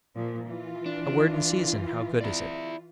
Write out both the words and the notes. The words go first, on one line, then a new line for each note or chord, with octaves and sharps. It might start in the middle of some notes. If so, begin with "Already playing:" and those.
A word in season, how good is it?
A#2 F3
E3 F4
D4
E4 D5